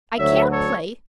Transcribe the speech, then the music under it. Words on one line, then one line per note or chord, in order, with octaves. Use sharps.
I can't play.
D2 D3 F#3 C#5 E5
A4 C#5